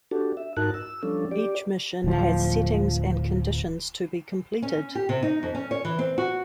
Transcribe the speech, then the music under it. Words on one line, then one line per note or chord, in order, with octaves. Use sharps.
Each mission has settings and conditions to be completed.
D4 F#4 G4 A4
E5
G#2 D#4 F#4 A#4 A5 F#6
E6
F3 G3 C#4 D4 A4
G4 D5
D1 F3
C#4
G4
C3
D#4
F2
C#4
C#5
E3
C4
F#4